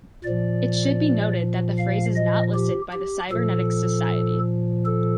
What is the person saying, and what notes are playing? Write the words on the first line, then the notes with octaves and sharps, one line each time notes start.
It should be noted that the phrase is not listed by the Cybernetics Society.
A#2 F3 D5
F5
D#5
G4
G4
A#2 F3 A4
A4